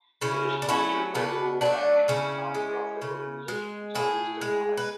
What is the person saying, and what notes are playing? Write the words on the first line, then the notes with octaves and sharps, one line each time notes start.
It is sponsored by Rural Action, a non-profit organization in southeastern Ohio.
C#3 C#4 E4
D4
F#3 A3 C#4 E4
C#3 B3 D4
F#3 A3 B3 D4
C#3 C#4 E4
G#3
C#3
G#3
A2 E4 G#4
G#3
B4